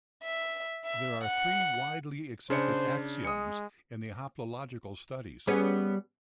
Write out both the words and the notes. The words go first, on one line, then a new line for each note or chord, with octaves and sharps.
There are three widely accepted axioms in hoplological studies.
E5
E5
F#5
C#3 D4 C5 C#7
G#3 D#6 C#7
G3 B3 C#4 G#4